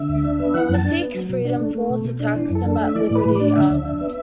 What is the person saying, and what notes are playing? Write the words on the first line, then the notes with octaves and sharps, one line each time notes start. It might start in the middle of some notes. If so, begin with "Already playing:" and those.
Mystique's Freedom Force attacks them at Liberty Island.
Already playing: D3 E5
D2
D4
B3
E3 F#5
F#2
A5
D4
B3
F#3
B2
D4
A3
A3
B2
B2
D4
E3
F#2
A4
D4
E5
A3
E3 D5
A2 B4
A2
D5
D4
D3 E5
D2
D4
B3